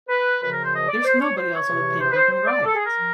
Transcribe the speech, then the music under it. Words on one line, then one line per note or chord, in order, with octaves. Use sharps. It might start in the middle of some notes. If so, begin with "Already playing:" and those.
There's nobody else on the paper who can write!
B4
F#2 C#3 F3 B4
A#4
C5
D#5
D5
C5
C#5
C5
C#5
E2 C3 E3
C5
B4
C5
C5
D5
A4
G#4
A#4
F3